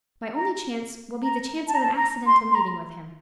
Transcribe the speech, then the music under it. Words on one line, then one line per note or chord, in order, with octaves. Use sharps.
My only chance will be the chance of an accidental meeting with Him.
A#5
A#5
A5
A#5
A5
A#5
C6
C6
A#5